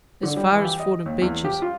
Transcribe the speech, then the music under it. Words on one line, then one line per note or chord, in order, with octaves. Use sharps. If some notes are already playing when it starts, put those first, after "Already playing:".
'As far as Fordham Beeches.
D3
G3
E3
G4
D#5
D#2
E2
G4
F4